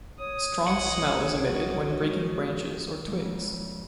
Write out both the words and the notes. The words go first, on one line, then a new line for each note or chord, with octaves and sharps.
A strong smell is emitted when breaking branches or twigs.
C#5 D#6
B1 D#5 F#5
F#4 D#5
G#3
F3 G#3